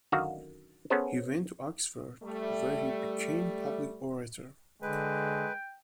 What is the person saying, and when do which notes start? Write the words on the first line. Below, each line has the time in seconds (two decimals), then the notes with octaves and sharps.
He went to Oxford, where he became Public Orator.
0.12 F#2 D3 D#3 F#4 F5
0.90 B3 C#4 G#4 A4 C5
2.23 G3 A3
4.82 D3 G#3 B4 G5